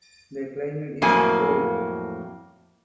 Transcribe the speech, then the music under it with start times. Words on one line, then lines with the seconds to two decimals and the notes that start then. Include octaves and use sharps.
The climate is cold.
1.02 F2 A2 F#3 A#3 G#5